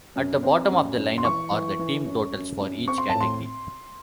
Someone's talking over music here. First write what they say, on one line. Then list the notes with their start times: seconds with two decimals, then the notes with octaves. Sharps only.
At the bottom of the lineup are the team totals for each category.
0.16 F#2
0.43 C4
0.71 F#2
0.97 F#2
1.18 C6
1.25 E3 C#6
1.52 E3
1.79 E3
2.06 F#2
2.33 F#2
2.60 F#2
2.87 C4 C#6
2.98 C6
3.09 A2 A5
3.21 C6